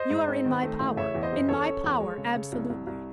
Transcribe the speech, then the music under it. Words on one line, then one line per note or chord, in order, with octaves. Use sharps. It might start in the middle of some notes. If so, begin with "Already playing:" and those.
You are in my power--in my power absolutely.
Already playing: C5 D#5
G#2
C4
D#3
A3
A1
C#3 C#5 E5
E2
C5 D#5
F#1
E2 A4 C#5
C#4
E2
G#3
C#3
C#3
C2
C2
C2